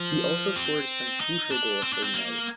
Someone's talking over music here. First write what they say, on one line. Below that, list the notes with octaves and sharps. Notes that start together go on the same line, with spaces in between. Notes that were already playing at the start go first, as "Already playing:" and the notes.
He also scored some crucial goals for United.
Already playing: F3
C4
D#4
D4
C4
D4
C4
A#3